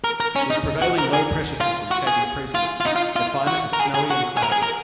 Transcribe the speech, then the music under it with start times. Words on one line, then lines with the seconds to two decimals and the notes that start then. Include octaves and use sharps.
With prevailing low-pressure systems taking precedence, the climate is snowy and cloudy.
0.04 A#4
0.20 A#4
0.36 C#4
0.50 D#4
0.82 F#4
0.98 A#4
1.13 G#4
1.61 F4
1.91 F#4
2.07 G#4
2.55 F4
2.80 F4
2.85 D#4
2.96 F4
3.16 F4
3.47 F#4
3.73 A#4
3.79 G#4
3.94 G#4
4.10 F#4
4.37 G#4
4.42 A#4
4.52 G#4
4.63 A#4